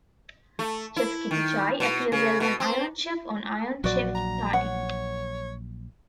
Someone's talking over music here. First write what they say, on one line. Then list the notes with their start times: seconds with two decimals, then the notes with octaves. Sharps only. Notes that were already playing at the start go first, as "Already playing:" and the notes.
Chef Kittichai appears as an Iron Chef on Iron Chef Thailand.
0.59 A3
0.97 E4
1.31 D#3
1.80 B2
2.12 C#3
2.40 B2
2.60 C4
3.84 A#1 F#3 F#4 D5
4.15 A#5
4.53 C#5 F#5